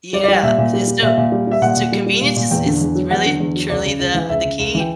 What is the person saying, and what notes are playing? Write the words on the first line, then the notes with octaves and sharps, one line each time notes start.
Yeah. It's sti So, convenience is is really truly the the key
G3 D5
D5
G3 G5
A#2 E5
A#2
G3
G3
A#2 E5
A#2
G3
G3 E5
A#2 F#5
A#2
G3
G3
A#2
A#2
E2 G5
D3
E2
F#3
E2 F#5
D3
E2
F#3
C#2 D5
C#3
C#2
E3
C#2 E5
C#3
C#2
E3
G5